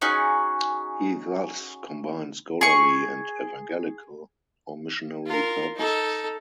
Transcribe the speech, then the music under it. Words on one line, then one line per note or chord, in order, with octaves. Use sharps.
He thus combined scholarly and evangelical or missionary purposes.
C#4 D#4 F#4 G#4
G#4 C#6
F4 A#4
D#4 A4